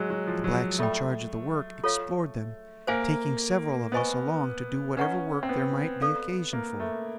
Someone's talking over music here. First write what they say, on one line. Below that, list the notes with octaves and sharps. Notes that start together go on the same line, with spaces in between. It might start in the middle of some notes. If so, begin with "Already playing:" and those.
The blacks in charge of the work explored them, taking several of us along to do whatever work there might be occasion for.
Already playing: F#3 G#3
F#3
F3
F#3
A3 F4 A4 D5 G5 B5
F4 A4 C#5 F5
A#3 C5 F5 G#5
B3 C5 D#5 G#5 C#6
C#4 B4 D#5 F#5 A#5 C#6
C4
B3
A4 D5 F5
A#3
A3